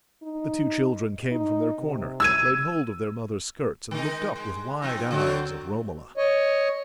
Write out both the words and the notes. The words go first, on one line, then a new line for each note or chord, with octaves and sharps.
The two children came from their corner, laid hold of their mother's skirts, and looked up with wide eyes at Romola.
D#4
D#4
C3
E6 G#6 D#7
D#3 G#3 D#4
G#3
F3 C4 D#4
D3 F#3 C4
C#5 D#5